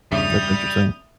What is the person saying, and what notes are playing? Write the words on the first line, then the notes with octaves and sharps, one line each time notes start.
That's interesting.
E2 G2 C#3 G3 E5 D#6 F7